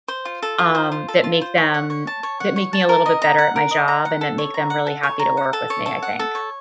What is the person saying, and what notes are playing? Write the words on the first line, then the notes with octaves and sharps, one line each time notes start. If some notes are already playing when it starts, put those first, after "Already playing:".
Um, that make them that make me a little bit better at my job and that make them really happy to work with me, I think.
C5
F4
A4
F4
C5
F4
A4
F4
C5
C#5
F#5
C#5
A5
C#5
F#5
C#5
A5
A#4
D#5
A#5
F#5
A#4
D#5
A#5
F#5
A4
C#5
A#5
F#5
A4
C#5
A#5
F#5
A4
C#5
A4
F#5
A4
C#5